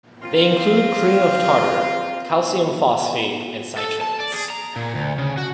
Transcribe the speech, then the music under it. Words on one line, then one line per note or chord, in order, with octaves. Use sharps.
They include cream of tartar, calcium phosphate, and citrates.
A#3 C4 F4
A4
A5
D5
G#4
A#5
A#2
D2
C#3
F#4